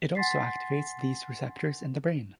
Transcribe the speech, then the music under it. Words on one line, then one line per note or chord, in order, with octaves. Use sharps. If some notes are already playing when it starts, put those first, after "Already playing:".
It also activates these receptors in the brain.
F#5 G#5 C6 A6 B6 C7